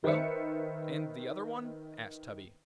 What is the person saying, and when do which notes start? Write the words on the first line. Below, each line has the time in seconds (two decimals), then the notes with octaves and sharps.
'Well, and the other one?' asked Tubby.
0.04 D#3 B4 C5 E5 C#7